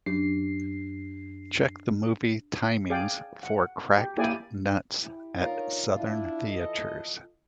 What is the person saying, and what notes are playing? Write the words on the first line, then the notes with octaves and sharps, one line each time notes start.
Check the movie timings for Cracked Nuts at Southern Theatres.
F#2 D4 G4 C7
G#4 D5 F5 G5
F#5
G4
A#3 E4 G4 G#4 D5 G#5
E4 G4
D4 D#4 F4 A#4 C#5
D4 E4 F4
E3 A4 D#5